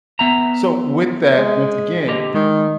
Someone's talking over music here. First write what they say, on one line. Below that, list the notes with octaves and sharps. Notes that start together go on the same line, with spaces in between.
so with that, once again,
B3 E5 A#5
G#3
D3 G4 D#5
D#3 G#3